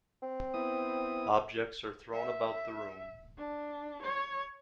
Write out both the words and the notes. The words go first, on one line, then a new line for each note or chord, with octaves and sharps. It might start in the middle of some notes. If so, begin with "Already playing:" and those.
Objects are thrown about the room.
C4
B3 E4 D#6
E5
D4
C#5